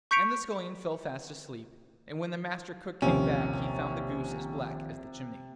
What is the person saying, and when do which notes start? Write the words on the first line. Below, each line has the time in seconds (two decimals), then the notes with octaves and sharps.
And the Scullion fell fast asleep, and when the Master Cook came back he found the goose as black as the chimney.
0.11 C#6 G6 B6 C#7 D7 F7
3.02 A#1 D#2 C3 C#4